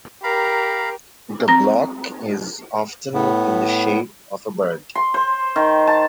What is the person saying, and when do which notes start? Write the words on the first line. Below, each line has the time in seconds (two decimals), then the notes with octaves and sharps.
The block is often in the shape of a bird.
0.23 G4 A#4 F5 A#5 B5
1.48 C4 A#5
3.14 A2 B3
4.95 C6
5.14 C5
5.56 D#3
5.87 A5